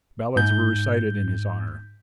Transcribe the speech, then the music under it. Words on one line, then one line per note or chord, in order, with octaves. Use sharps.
Ballads were recited in his honour.
G#2 G6